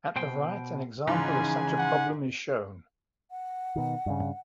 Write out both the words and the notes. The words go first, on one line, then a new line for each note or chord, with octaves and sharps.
At the right an example of such a problem is shown.
B2 C5 G5
G#2 C#3 E3 F3 D#4 F4 G#5
F#5
F#5
B2 D#3
G2 C#3